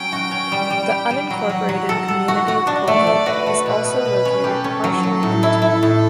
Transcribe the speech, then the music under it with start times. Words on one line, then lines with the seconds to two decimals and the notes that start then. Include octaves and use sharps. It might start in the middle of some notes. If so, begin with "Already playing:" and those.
The unincorporated community of Colgate is also located partially in the town.
Already playing: F#3 C#4 G5
0.12 F#4
0.31 C#4
0.52 G3
0.70 G3
0.90 G4
1.10 G3
1.30 F#3 F#5
1.50 F#3
1.69 F#3
1.89 A4
2.08 A4
2.28 F#4
2.48 F#4
2.67 D4
2.87 A3 D5
3.07 A3
3.26 F#4 B4
3.46 A3
3.66 B2 B4
3.85 B2
4.05 B2
4.25 C#4
4.44 G4 A4
4.64 C#4
4.84 F#3
5.03 F#3
5.23 A2
5.43 E4
5.62 E4
5.83 A2